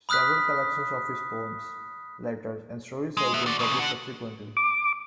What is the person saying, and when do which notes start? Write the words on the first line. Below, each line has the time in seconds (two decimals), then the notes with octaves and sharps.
Several collections of his poems, letters and stories have been published subsequently.
0.09 B5 D#6 F6 F#6 B6
3.17 G#3
3.34 B3 E5
3.46 F#4 D5
3.59 E2 C#3
3.79 D4 F#5
4.57 D6